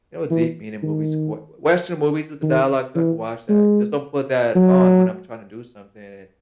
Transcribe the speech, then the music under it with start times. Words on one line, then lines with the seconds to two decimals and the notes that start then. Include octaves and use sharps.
You know, deep meaning movies, w western movies with the dialogue so I can watch that, just don't put that on when I'm trying to do something and
0.30 E3
0.83 D#3
2.42 D#3
2.96 E3
3.49 G#3
4.56 F#3